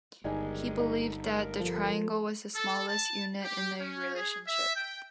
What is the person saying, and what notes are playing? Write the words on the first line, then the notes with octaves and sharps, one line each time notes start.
He believed that the triangle was the smallest unit in a relationship.
G1 D#3 G3 G#3 D#4 G#5
D#4
A#4
F3 A4
A4
A5
G4
C#4
G#4
E5
G5